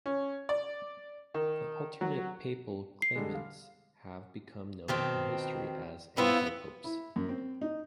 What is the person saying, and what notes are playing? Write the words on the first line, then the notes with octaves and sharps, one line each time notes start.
The alternate papal claimants have become known in history as antipopes.
C#4
D5
D#3
F#3
C7
D3 G3 G#3
F5
B2 D#3 C4
B3 C4 E4 F4
E4
F#2
C4
D#4